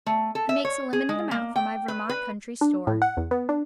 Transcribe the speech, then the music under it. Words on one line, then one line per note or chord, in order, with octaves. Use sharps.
He makes a limited amount for my Vermont Country Store.
A3
A4
E5
C#5
G#4
G#3
A#3
G5
B4
B4
D4
A2
F#5
E2
B3
D4